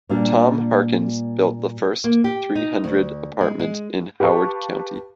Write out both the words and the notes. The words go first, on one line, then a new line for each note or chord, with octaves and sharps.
Tom Harkins built the first three hundred apartment in Howard County.
A#2 G3 D4
A#3
G4
D#4
D2
G#3
G#3
G4 B4 F5 A5 C#6